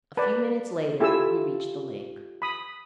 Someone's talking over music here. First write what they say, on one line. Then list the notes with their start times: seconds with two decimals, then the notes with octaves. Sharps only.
A few minutes later we reached the lake.
0.17 B4 D5 A5
1.00 E4 F4 G4 A4 G#5 E6
2.42 B5 D#6